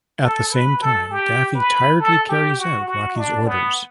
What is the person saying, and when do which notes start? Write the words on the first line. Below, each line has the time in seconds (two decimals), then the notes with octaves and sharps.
At the same time, Daffy tiredly carries out Rocky's orders.
0.24 A4
0.52 B4
0.81 A4
1.11 G4
1.55 B4
2.00 A4
2.29 G4
2.59 F#4
2.88 F#4
3.17 D4
3.46 B3